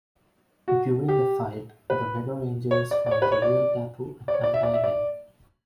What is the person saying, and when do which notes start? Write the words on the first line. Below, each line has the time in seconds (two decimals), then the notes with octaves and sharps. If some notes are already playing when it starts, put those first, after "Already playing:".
During the fight, the Megarangers find the real Dappu and untie him.
0.68 F#4
1.08 G4
1.90 B4
2.71 C#5
2.91 D5
3.06 D5
3.11 C#5
3.22 B4
3.32 C#5
3.42 D5
4.28 D5
4.34 C#5
4.44 D5
4.54 E5
4.63 D5
4.74 E5
4.84 D5